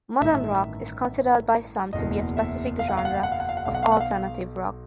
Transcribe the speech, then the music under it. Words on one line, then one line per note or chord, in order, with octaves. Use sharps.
Modern rock is considered by some to be a specific genre of alternative rock.
A1 G2 D#3 E5
F#1 E2 B2 D#5
E5
F5
F#5
F5
F#5
F5
F#5
F5
F#5
F5
F#5
B1 B2 F5
F#5
F5
F#5
F5